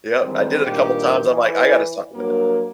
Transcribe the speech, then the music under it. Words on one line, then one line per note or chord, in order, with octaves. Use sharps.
Yep. I did it a couple times. I'm like, "I gotta stop with it."
G#2 D#3 E3 G3 C4
G2 A#2 D#3 F4 G4
E3
G2 F#3 A#3 A#4